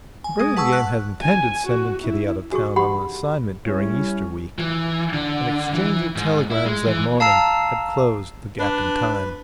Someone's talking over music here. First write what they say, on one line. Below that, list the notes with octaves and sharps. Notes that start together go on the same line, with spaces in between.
Burlingame had intended sending Kitty out of town on an assignment during Easter week. An exchange of telegrams that morning had closed the gap in time.
G#5
G#3 G#4
B4 F#5 A5 C#6 E6
F#6
G#5
F#4
E4
D4 F#4 G#4 C#6
D#4 G4 F#5 B5 C6
G3 C#4 E4
E3
D3
E3
G#2
E4
G#3
E3
F5 A5 A#5 E6 C7
D4 B4